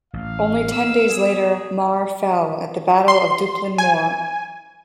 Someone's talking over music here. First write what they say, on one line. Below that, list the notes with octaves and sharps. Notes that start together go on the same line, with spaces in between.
Only ten days later Mar fell at the Battle of Dupplin Moor.
A1 F5
B3 E6
G#4
C6
G#5